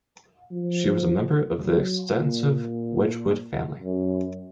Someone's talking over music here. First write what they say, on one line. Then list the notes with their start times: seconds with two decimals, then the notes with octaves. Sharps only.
She was a member of the extensive Wedgwood family.
0.51 F3
1.62 F#3
2.17 A#2
3.82 F#2